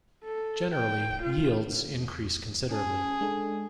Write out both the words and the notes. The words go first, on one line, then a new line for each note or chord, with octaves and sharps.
Generally, yields increase considerably.
A4
G5
F4
E2
C#4 G#4 A5
G#3 D4 A4